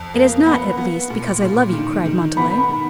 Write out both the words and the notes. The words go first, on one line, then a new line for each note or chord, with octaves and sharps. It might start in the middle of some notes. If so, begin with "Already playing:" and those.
"It is not, at least, because I love you," cried Montalais.
Already playing: F2
A#3
B3 B5
B3
A#2
A#2
D#3
D#3
B3 B5
B5
D#3